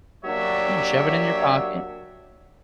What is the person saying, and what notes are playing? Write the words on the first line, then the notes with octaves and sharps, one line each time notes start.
Yeah, shove it in your pocket.
F#3 A#3 D4 G4 C#5 E5